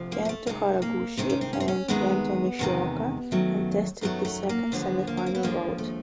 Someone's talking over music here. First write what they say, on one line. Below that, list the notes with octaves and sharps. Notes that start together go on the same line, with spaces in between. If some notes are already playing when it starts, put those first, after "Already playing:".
Kento Haraguchi and Renta Nishioka contested the second semifinal bout.
Already playing: D2 C3 F3
A#3
A#3
A3
D2 C3 D#3 G#3 A#3
A#3
D2 C3 D#3 G#3 C4
C#4
C4
C#4
C4
C#4
E2 C3 D#3 G#3 B3
E2 C3 D#3 G#3
F#2 D#3 F#3 A3
F#2 D#3 F#3 A3 B3
A3
A#3
D#2 D3 F3 G#3 B3
A#3
C#4
C4
B3
D#2 D3 F3 G#3 A#3
A3